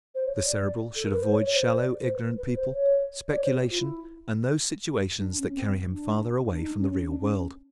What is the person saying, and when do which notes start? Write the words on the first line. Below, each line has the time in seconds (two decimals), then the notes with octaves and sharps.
The Cerebral should avoid shallow, ignorant people, speculation and those situations that carry him farther away from the real world.
0.15 C5
0.26 C#5
0.43 D5
0.95 A4
1.04 A#4
1.13 B4
1.22 C5
1.31 C#5
1.43 C#5
1.54 C5
1.67 C5
1.78 D5
2.02 C5
2.14 B4
2.37 B4
2.55 C5
2.73 C#5
3.28 D5
3.36 C#5
3.43 C5
3.56 G4
3.70 F4
3.78 E4
5.19 D4
5.38 C#4
5.54 C4
5.91 D4
6.51 D4
6.61 D#4
6.79 C#4
6.96 C#4
7.07 D4
7.19 C#4